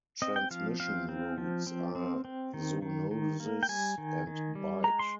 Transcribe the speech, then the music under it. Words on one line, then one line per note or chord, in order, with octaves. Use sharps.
Transmission routes are zoonosis and bite.
C4 D#5
G5
F3 F5
C4 F5
C4
F3
C4
C4
C4
D#3
D#3
D#3
A#3
G5
G3 G#5
D#3
D#3
G3
G#3 A#5
C6